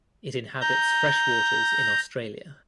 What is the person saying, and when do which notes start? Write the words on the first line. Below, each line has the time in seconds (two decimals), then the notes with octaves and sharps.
It inhabits freshwaters in Australia.
0.61 A#5 G6